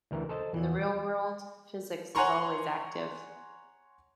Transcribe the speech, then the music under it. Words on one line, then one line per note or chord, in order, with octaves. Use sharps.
In the real world, physics is always active.
D2 E3 A#4
A4 C5 D#5 A5
E2 E3
G3
C#5 F#5 G#5 A#5 C6 C#6